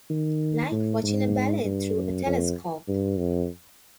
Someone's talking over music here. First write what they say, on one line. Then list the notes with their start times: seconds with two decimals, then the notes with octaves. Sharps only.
Like watching a ballet through a telescope.
0.10 D#3
0.71 A2
1.03 G#2
1.65 G2
1.95 F#2
2.26 F2
2.88 G2
3.18 F2